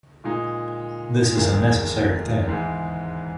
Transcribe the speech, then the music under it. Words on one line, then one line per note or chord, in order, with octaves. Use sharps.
This is a necessary thing.
A#2 G#3 D#4
E1 D#2 D#3 G#3
G#2 E3 G#3